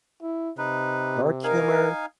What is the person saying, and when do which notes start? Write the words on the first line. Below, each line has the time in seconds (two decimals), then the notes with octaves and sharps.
dark humor,
0.23 E4
0.58 C3 D#4 B4
1.44 D#4 A#4 F5 G#5